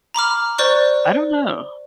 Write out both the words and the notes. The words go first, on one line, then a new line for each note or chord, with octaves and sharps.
I don't know.
A#5 B5 D6 F6
C5 D5 C#6 F#6